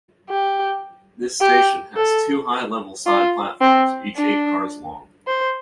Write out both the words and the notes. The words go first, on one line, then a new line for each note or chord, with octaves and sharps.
This station has two high-level side platforms each eight cars long.
G4
G4
A4
F4
C4
D4
C5